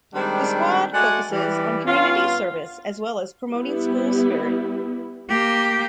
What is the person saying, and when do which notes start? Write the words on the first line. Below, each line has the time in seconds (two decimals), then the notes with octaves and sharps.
The squad focuses on community service as well as promoting school spirit.
0.15 D#3 G3 G#3 C4 D4
0.93 G#3 A3 F#4 D5 F#5
1.31 E3 G3
1.85 G2 B3 C#4 F4
3.52 G3 B3 E4
5.29 A#3 G4